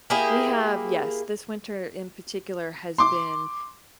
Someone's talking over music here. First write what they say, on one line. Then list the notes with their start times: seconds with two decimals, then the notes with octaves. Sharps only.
We have yes, this winter in particular has been,
0.10 A#3 E4 G4 G#4
2.98 C6 D6